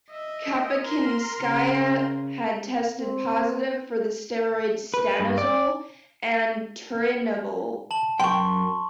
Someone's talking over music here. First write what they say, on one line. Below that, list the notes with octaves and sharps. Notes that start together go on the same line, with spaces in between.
Kapachinskaya had tested positive for the steroids stanozol and turinabol.
D#5 E5
A#4 C6
C#3
C4
B4
G2
D5
A5 F#7
F#2 G5 C6 C#6